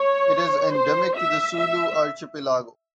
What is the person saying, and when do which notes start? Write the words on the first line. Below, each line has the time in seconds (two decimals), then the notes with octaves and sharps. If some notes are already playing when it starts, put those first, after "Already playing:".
It is endemic to the Sulu Archipelago.
Already playing: C#5
0.73 C5
1.15 E5
1.57 E5